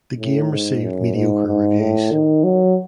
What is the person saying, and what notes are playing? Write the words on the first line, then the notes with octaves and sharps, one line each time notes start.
The game received mediocre reviews.
A2
G#2
F#2
G#2
G#2
A2
D#3
F#3